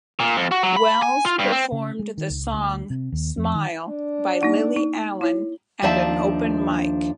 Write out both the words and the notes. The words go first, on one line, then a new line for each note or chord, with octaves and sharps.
Wells performed the song "Smile" by Lily Allen at an open mic.
A#2
F2
F#4
F#3
B5
G#5
F4
G2
C4
C#3
G#3
D#3
C#2
D2
C3
D#2
F2
D#3
D4
A#3 D#4 F#5
D#4
E4 C#5
D#2 F3 D4 E5 A5